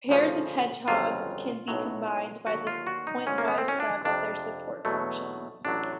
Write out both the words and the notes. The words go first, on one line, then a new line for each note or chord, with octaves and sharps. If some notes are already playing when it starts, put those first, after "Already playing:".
Pairs of hedgehogs can be combined by the pointwise sum of their support functions.
D2 C#3 F3
G1 F2 C#3 F#3 F4
B1 A2 F#3
D#2 D3 F#3 A3 F#4
F4
F#4
D#4
G#1 G#2 E3 G#3 C#4
A#3
B3
C4
C#4
D4
F2 C3 F3 D4
E2 B2 F#3 A3
A1 A2 F#3 D4